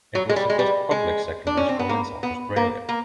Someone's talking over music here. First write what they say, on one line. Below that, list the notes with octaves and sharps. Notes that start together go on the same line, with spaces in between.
It was the first public secondary school in South Australia.
F#3
G#3
G3
G#3
G3
G#3
D4
C#4
C4
B3
A#3
B3
A#3
A#3